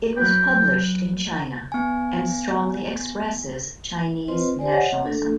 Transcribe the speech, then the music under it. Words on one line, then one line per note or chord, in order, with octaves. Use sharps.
It was published in China and strongly expresses Chinese nationalism.
F#3 F#4 B4 G5
B3 G#5
C4 F4 B4 C5 D#5 C6
G4 C5 D5 G#5
C#5 D#5 F#5
D4 A4